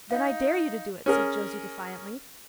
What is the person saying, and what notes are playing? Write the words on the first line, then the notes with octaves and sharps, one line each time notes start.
"Then I dare you to do it," said Josie defiantly.
D#4 F5
C#4 G#4 A#4